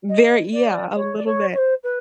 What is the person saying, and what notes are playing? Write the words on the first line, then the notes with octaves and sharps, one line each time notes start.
Very yeah, a little bit.
D#5
D5
C#5
D5
C#5
C#5
C5
B4